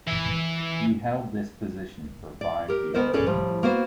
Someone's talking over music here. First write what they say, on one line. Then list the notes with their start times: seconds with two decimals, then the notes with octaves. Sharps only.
He held this position for five years.
0.07 E3 E5
2.41 D5
2.68 G4 A#4
2.94 D2 B3 A#4 C5 D#5
3.13 C#4 G#4 A4 B4 D5
3.27 A2 F3 G3
3.63 A#3 B3 F#4 B4 C5